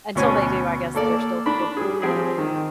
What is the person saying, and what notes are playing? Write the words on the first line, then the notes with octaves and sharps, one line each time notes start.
until they do, I guess they're still the kids of the family.
D2 B2 C#4 G#5
A#3 A4 D5
D4 B5
G3 G#4
F3 C4 G4 G#4
D#3